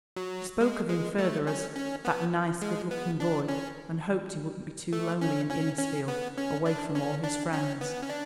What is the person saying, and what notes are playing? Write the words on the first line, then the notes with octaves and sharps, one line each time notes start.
She spoke of him further as "that nice, good-looking boy," and hoped he wouldn't be too lonely in Innisfield, away from all his friends.
F#3
G#3
G#3
A3
C#4
C#4
B3
G#3
B3
D4
C#4
A3
C#4
C#4
C#4
B3
C#4
D4
C#4
D4
C#4
B3
C#4
D4